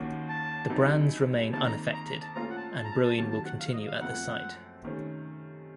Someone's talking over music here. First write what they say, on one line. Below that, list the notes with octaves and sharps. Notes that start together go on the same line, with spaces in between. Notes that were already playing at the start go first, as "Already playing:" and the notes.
The brands remain unaffected and brewing will continue at the site.
Already playing: D#2 D#3 A#3 C#4 F#4
A5
C#2 C3 F#3 C4 D#4
F2 D#3 A#3 A5
A#5
A#5
A#5
A5
A#2 A3 C#4 F4 A#5
F#5
A5
A5
A#5
A5
A5
C3 D#3 F#3 A#3 A5
A5
F#5
F5
D#5
F5
F#2 F3 A3 C4 F#5
C3 D#3 A3 C#4